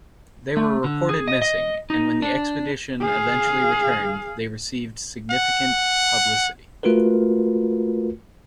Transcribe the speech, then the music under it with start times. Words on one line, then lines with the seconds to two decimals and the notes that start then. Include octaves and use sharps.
They were reported missing and when the expedition eventually returned they received significant publicity.
0.57 A3
0.84 D3
1.09 G#4
1.28 D#5
1.42 D#5
1.90 D#4
2.22 D4
3.01 G#4 F5
5.31 F#5
6.83 A3 F4 F#4 A#4 B4